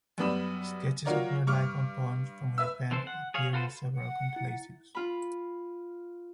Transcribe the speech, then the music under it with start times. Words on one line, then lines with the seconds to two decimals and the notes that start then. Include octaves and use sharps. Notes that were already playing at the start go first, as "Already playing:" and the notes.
Sketches of her life and poems from her pen appear in several compilations.
0.18 F#2 G3 B3 D5 B5 E7
1.05 F#3 F4 F#4 A#4 C#5 D5
1.47 G2 C#6 D6 F6
2.58 B4 E5 E6
2.91 E3 C4 A4 C5
3.07 F#5
3.34 G#4 C#5 F5
3.53 F4 F#4 A4 B4 C5
3.93 F#5
4.36 E4
4.95 F4 B5